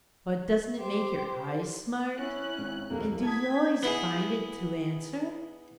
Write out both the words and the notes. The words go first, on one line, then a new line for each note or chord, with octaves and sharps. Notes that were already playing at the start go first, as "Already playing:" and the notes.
But doesn't it make your eyes smart? and do you always find it to answer?'
G4 C5
C#4 E4 F#6
G#1
D#1 F2 A#3 E4
B3 A5 D#6 G#6 B6
B3 E4 G#4